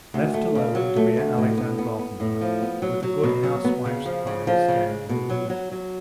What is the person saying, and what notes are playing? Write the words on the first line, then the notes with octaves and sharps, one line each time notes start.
Left alone, Darya Alexandrovna, with a good housewife's eye, scanned her room.
D2
A3
C#3
F#3
A3
D2
A2
B3
B3
B3
A2
F3
B3
F#3
F#3
B2
F#3
B3
C#3
F3
C#3
F3
C#3
G#3
B2
F#3
F#3
F#3